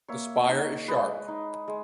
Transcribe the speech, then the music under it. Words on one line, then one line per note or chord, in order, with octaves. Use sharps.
The spire is sharp.
A#3 C#5 E5
D#4
G#3 B4 D#5
D#4
G#3